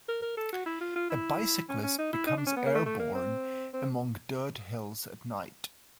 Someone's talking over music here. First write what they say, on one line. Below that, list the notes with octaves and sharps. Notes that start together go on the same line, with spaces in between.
A bicyclist becomes airborne among dirt hills at night.
A#4
A#4
A4
F#4
E4
F4
F4
E4
C#4
C#4
D#4
E4
D#4
D4
C#4
B3
A#3
A3
A3
A#3
C4
C4